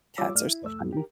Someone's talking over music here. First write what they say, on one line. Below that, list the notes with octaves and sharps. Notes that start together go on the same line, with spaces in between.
Cats are so funny.
G3 F4 C#5 D6 E6
G2 A3 D5 F6
E4
C2 F2 A3 E6
F2 A2 G3 B3
G4 A#4